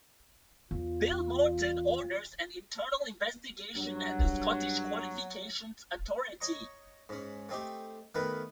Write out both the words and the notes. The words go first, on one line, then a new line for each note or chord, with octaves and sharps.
Bill Morton orders an internal investigation at the Scottish Qualifications Authority.
E2 F4
G2 F#3
C#5 D#5 A#5 C#6
G#2 C#4
A3 C4 D#4 G4
D#3 A3 B3 A#4 B4